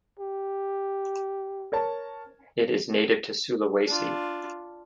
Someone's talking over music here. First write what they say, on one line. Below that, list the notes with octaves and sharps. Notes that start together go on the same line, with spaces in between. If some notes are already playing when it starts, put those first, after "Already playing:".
It is native to Sulawesi.
G4
A#4 C#5 A5
D4 F4